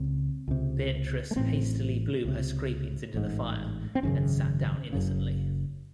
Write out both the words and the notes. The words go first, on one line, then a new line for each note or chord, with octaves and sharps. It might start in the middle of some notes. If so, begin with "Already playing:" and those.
Beatrice hastily blew her scrapings into the fire, and sat down innocently.
Already playing: C#2 C#3 C4
C#2 C3
A3
A1 A2 C4
C#2 C3
A1 G#2
C4
G#1 F#2 C#3 C#4
F#1 F#2 C#3